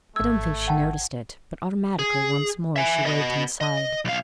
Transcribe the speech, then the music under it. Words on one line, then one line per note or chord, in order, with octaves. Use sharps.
I don't think she noticed it, but automatically once more she waved him aside.
G#1 A3 E6 G#6
F#5 G5 A5
G#4
E5 G#5
B3 D#5
D#5
B1 F5